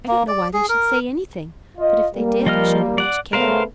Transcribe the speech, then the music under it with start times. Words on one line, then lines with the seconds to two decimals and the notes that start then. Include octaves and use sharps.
"I don't know why they should say anything, but if they did I shouldn't much care."
0.08 A#3
0.28 D5
0.53 G#4
0.69 A#4
1.77 F4 D#5
2.14 G3 A#3
2.46 F3 D#5 F6
2.98 D5 F#5
3.33 C#3 A3 B3 A#4 C5 F5